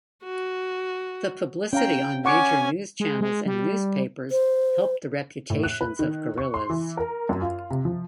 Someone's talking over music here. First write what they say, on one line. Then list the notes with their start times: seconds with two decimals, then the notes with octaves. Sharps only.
The publicity on major news channels and newspapers helped the reputations of gorillas.
0.24 F#4
1.73 C#4 F5 G5 A#5
2.25 C#4 F#5 G#5 C#6 D6
3.00 G#3
3.21 G#3
3.46 G3
4.31 C5
5.50 A2
5.63 F#6
5.81 B4
5.99 D#3
6.38 C#6
6.54 C6
6.70 E3
6.97 A#4
7.29 F#2
7.41 F4
7.70 C3
7.85 F3